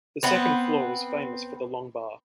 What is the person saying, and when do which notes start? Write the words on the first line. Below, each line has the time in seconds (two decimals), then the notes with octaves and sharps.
The second-floor was famous for the Long Bar.
0.23 B3 C4 B4